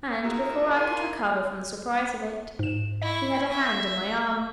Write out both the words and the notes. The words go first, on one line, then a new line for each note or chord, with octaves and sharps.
And before I could recover from the surprise of it, he had a hand on my arm.
D#4 F4 F#4 G#4 A#4 E5
F4 A#4 F5 G#5 B5 C6
G#2 E7
E4 D#5 C#6
E5